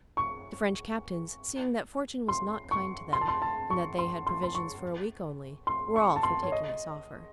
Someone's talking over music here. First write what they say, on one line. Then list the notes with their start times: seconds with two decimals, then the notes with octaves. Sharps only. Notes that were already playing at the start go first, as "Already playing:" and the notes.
The French captains, seeing that fortune was not kind to them, and that they had provisions for a week only, were all for taking this offer.
0.17 C#6
2.28 C6
2.71 C#6
3.13 C6
3.21 A5
3.28 C6
3.42 A5
3.70 C#6
3.99 C6
4.27 C6
4.43 C6
4.55 C#6
5.67 C6
5.96 C#6
6.16 A5
6.23 C6
6.43 C#5
6.52 D#5